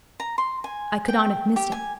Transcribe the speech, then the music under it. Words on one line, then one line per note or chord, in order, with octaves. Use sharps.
I could not have missed it.
A#5
C6
G#5
G5
G4
G#5